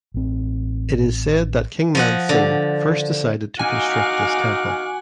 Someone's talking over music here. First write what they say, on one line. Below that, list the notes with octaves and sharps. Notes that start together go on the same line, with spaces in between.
It is said that King Maan Singh first decided to construct this temple.
A1 C4
F3 D#5 F#5
D3
D#4 F#4 F5 F#5 G#5 D6